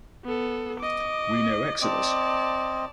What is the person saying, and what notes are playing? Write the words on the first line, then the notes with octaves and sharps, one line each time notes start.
We know Exodus.
B3 A4
D#5 D6
C4 D5 D#5 A5